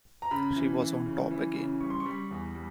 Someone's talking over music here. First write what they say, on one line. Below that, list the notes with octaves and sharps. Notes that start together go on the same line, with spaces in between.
She was on top again.
A#5
C#3 B5
E3
E3
C#3
E3
C#3
G3 C#6
C6
C#6
G3
E2
G3